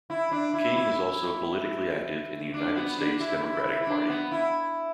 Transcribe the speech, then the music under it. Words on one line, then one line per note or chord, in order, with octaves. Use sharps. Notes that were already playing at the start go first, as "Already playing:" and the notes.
King is also politically active in the United States Democratic Party.
E4
D4
E4
E4
D4
B3
D4
E4
E4
E4
E4
D4
B3
E4